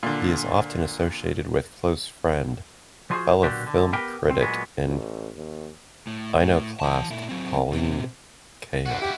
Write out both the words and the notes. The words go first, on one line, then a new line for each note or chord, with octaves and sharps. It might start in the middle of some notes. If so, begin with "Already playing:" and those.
He is often associated with close friend, fellow film critic and iconoclast Pauline Kael.
A#2 D3
F3 G3 F4 F#4 G#4 C5
B1 A#2 D3 F#4 G4 D5
D3
B3 G4 A#4 B4 G5
C3 C4
A#2 F#3 G#3 B3
A1
D#2
A2
A2
E3 A5
A#2 E4
F#3 C4
B2 C4
D3 F#4 F#5
E4 F#4 G4